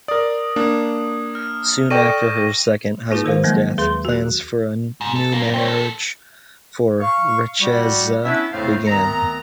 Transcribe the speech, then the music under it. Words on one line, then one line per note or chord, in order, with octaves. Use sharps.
Soon after her second husband's death, plans for a new marriage for Richeza began.
A#4 D5 D#6
A#3 D4
F6
A4 D5 G5 C#6 A#6 D#7
A#3 D#4 F4 G#4 B4
D#3 A#4 C5 F5
F3 F#3 G#3 A#3
D#2 G#4 B4 C6
F#4 F#6
G#2
A4
F#2 A#3
C4 C#5
A#3 A4
F5 C#6
G3 F#4
B3 C#4 D4 E4 E5
F2 A2 C#3 A3 C5 F5
D2 D#3 B3 C4 A#5